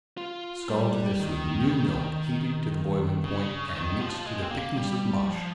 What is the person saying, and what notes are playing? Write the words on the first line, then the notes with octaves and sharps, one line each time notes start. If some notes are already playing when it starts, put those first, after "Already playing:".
Scald this with new milk heated to the boiling point and mix to the thickness of mush.
F4
G3
D#3
C#3
D#3
F3
G#3
C4
A#3
G3
F3